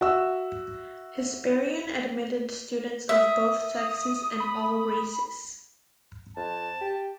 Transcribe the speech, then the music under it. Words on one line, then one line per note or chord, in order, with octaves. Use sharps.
Hesperian admitted students of both sexes and all races.
F#4 E5 E6
E5 D#6
B5
F2 A5
G4